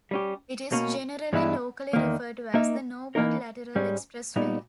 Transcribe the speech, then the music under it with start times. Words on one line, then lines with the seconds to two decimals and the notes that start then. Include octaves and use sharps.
It is generally locally referred to as the Norwood Lateral Expressway.
0.11 G3 C#4 G4
0.72 B2 A#3 C#4
1.33 G2 E3 G#3 B3 E4
1.93 E2 D#3 A#3
2.54 A#3 D#4 A#4 E5
3.15 E3 A#3 D#4 A#4
3.75 G#2 G3 C#4 G#4
4.36 A#2 G3 B3 D#4